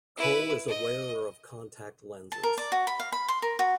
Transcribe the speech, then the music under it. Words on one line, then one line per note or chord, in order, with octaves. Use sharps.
Cole is a wearer of contact lenses.
E4 B4
D#5
A5
A#4
D5
F#4
B5
F5
B5
C6
A#4
F#4